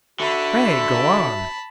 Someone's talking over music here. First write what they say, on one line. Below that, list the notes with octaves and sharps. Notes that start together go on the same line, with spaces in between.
Pray go on!
D3 F#4 E5 A5 B5